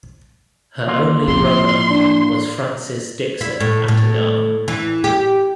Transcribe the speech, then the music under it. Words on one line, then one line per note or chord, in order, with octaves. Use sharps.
Her only brother was Francis Dixon Attygalle.
E3 A#3 F4
A2 F3 C4 C6
D4
E4
A2
A2
E3
G4